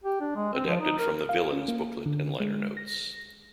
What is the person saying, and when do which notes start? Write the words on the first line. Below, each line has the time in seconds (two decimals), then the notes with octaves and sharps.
Adapted from the "Villains" booklet and liner notes.
0.04 G4
0.21 D4
0.36 G#3
0.53 C4
0.66 F3
0.80 D#4
0.99 A#4
1.29 F5
1.53 C#4
1.68 A#3
2.06 D3
2.40 G#3
2.77 A#6